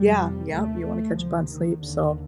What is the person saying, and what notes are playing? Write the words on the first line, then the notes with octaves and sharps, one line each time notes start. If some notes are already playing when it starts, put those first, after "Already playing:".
Yeah, yep, you want to catch up on sleep, so
Already playing: F2 C3 G3
D#2 A3
D2 C3 F3
D#3
D#2 D3